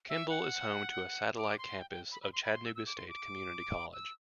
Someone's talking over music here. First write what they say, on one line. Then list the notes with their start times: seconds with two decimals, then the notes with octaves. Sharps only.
Kimball is home to a satellite campus of Chattanooga State Community College.
0.09 E5
0.30 F#5
1.37 D6
1.58 C6
1.79 G5
1.90 G5
2.12 B5
2.22 B5
2.33 C6
2.44 B5
2.55 C6
2.65 E6
2.75 E6
2.87 D6
2.98 C6
3.09 D6
3.93 E6